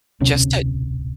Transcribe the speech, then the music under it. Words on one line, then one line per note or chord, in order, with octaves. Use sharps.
just to
D1 B1 C3 C#4